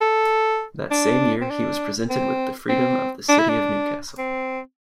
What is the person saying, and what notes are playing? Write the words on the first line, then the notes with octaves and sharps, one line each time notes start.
That same year he was presented with the Freedom of the City of Newcastle.
A4
D4
C4
D4
C4
C4
D4
E4
D4
C4